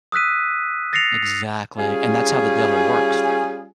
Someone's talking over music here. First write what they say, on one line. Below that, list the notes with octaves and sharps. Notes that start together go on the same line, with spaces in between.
Exactly, and that's how the devil works though.
D#6 E6 F#6 B6 D#7
A6 A#6 C7 C#7 F7
G3 C#4 F4 G#4